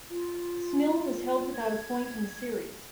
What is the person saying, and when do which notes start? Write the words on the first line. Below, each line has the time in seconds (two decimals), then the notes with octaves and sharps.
Smyl was held without a point in the series.
0.10 F4
1.54 G#6